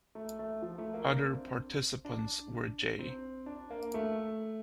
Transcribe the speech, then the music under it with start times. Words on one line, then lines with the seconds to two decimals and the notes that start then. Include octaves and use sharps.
Other participants were J.
0.15 A3
0.39 A3
0.62 F3
0.78 A3
0.94 A#3
1.09 D4
1.33 C4
2.05 D4
2.99 C4
3.46 D4
3.71 A#3
3.94 A3